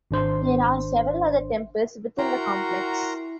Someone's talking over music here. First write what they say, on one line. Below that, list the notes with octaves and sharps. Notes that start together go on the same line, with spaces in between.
There are several other temples within the complex.
G#1 D4 C5 C6
E4 F#4 A#4 G5 A#5 C6